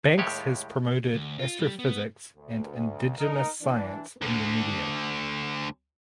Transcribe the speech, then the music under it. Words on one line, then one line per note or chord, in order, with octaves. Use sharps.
Banks has promoted Astrophysics and indigenous science in the media.
D#2 A2 G3 G#3 G4 C#5
D2
F4
G3
B3
D2
D#4 A#4
E3 D4
D2 D3